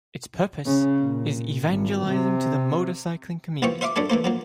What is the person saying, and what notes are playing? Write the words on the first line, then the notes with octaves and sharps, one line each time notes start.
Its purpose is evangelizing to the motorcycling community.
C#3
A#2
G#1
C3
D#2 E3 F3 F4 G5 C#6
C5 E5 F5 C6 D6
F#2 C#4 D4 A4 G#5
E3 A3 A#3 C5
F3 F#3 A#3